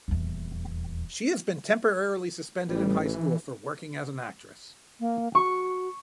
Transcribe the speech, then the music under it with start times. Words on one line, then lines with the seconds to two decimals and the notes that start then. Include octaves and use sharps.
She has been temporarily suspended in high school for working as an actress.
0.08 D#1 E2
2.69 A1 G3
3.05 E3
5.00 A#3
5.35 F#4 C#6